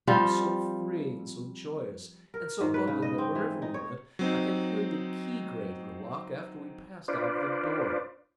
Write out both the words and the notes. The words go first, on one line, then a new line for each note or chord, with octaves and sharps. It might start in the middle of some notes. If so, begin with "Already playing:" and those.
He was so free, and so joyous, and so bubbling, that wherever we went I could hear the key grate in the lock after we passed out of the door.
F3 G3 C4 F4
A#4
G#2
B4
C#3
D#5
C4
E3
D#4
C#5
F#3 C4 D#4
D4 F4 B4 C5 D5